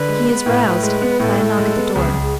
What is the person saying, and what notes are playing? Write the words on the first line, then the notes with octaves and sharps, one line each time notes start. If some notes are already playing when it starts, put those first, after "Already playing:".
He is roused by a knock at the door.
Already playing: D3 B4
G#3
B3
A2
A2
G#3
B3
A2 A4
A2
G#3
B3
C#2 G#4
C#2